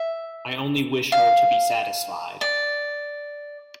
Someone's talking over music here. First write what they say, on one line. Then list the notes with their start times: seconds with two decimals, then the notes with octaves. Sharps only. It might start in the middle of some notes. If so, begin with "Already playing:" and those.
I only wish her to be satisfied.
Already playing: E5
1.12 F5
2.41 D5